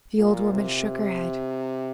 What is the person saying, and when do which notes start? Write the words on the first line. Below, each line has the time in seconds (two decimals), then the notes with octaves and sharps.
The old woman shook her head.
0.17 A#2
0.52 C3